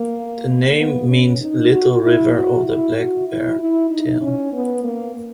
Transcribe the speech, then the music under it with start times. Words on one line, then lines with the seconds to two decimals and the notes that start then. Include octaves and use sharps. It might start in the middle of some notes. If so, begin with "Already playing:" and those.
The name means "little river of the black bear tail".
Already playing: A#3
0.77 B3
1.09 C#4
1.41 D#4
1.72 F#4
2.02 E4
2.34 F#4
2.65 E4
2.96 F#4
3.28 E4
3.59 E4
3.90 D#4
4.22 C#4
4.53 B3
4.84 A#3